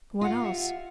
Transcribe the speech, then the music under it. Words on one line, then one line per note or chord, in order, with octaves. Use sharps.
What else?
F4 D#5 F#5
G4 E5 F#5